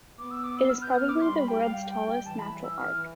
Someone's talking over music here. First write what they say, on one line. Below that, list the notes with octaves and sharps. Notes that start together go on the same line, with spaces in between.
It is probably the world's tallest natural arch.
B3 D6
E6
D6
E6
F6
G6
F6
D6
G3 C6
B5
G5
F5
G5
G5
G5
E3 A5
B5
E6
F6